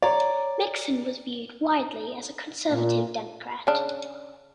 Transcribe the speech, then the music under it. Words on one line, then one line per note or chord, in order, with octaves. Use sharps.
Mixson was viewed widely as a conservative Democrat.
C#5 D5 A#5
A#2
C#3 D4